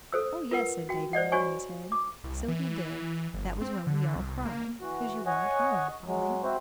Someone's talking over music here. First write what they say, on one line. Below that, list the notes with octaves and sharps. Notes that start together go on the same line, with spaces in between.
"Oh, yes," said Davie, nodding his head, "so he did; that was when we all cried 'cause you weren't home, Polly."
A4 C5 E6
F4 A#4 B4 F#5
F#4 G5
C5 D5 D#5 F#5
D4 F#4 C5 C#5 G#5 C#6
D6
C2
E3
E3
G1
C4
D3
C2
A#3
E3 F#4
C#5 D#5 F#5 G#5 C#6
F#3 G#3
C4 E4 F#4 C5